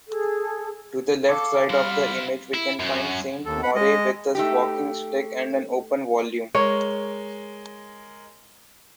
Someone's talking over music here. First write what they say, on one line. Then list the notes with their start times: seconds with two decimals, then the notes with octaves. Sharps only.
To the left side of the image we can find Saint Maure with a walking stick and an open volume.
0.07 G#4 A4
1.29 A4 F5 C#6 D6
1.70 G3 E4 F#4 C6 F6
2.54 E4
2.79 F#2
3.46 D#2 A4
3.63 F#5 B5
3.75 G#3 D#5
4.35 A3 D#4 G4
6.55 G#3 A#4 C#5